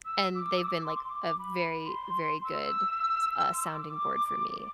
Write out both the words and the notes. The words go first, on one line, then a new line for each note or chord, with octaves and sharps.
and they've been, like, a very, very good s uh sounding board for me,
E6
D6
E6
D6
C6
D6
B5
C6
C6
E6
C6
D6
D6